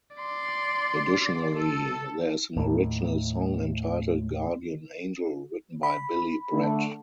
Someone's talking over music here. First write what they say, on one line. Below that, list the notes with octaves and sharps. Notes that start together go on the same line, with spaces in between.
Additionally there is an original song entitled "Guardian Angel" written by Billy Brett.
D5 C6
A4
D#2 A2
B5
D3 A3